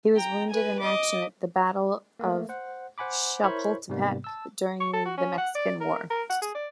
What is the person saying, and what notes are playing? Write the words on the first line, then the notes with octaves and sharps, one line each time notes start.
He was wounded in action at the Battle of Chapultepec during the Mexican War.
G5 A#5
B4 G#5
D#5 D6
A3 A#3
C5 F#5
C5 F#5 G#5 B5 D6
E4 A#4 C5 C#5 B5 C#6
G#2 C3 G3 A#3 B3
A5 E6
C#6
A4
F#4
C#4
F#5
D5
A#4
A#4
F#5
G#4
D5